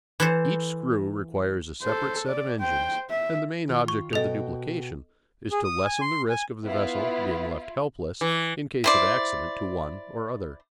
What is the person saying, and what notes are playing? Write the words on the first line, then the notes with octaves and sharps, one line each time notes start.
Each screw requires a separate set of engines and the main object of the duplication is to lessen the risk of the vessel being left helpless in case of accident to one or other.
E3 A4 C5
A4 C5
D5
C5 G5
E5
D#3 F4
C#6
B2 F#4 A4 D#5 G5
G#4
D#6
G#5
C6
G#5
B3 E4 F4
E3
E4 C5 D5